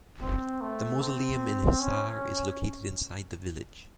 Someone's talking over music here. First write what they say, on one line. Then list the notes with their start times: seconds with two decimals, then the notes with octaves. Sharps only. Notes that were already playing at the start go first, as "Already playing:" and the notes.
The mausoleum in Hisar is situated inside the village.
0.21 C4
0.61 A3
1.01 C4
1.80 C#4